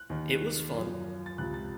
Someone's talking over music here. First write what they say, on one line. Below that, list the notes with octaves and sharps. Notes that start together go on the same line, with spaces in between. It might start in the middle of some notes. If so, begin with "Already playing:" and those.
It was fun.
Already playing: F#6
D#2 D#3
F#2 F3
A6
C#2 C3 F3 F#6
A6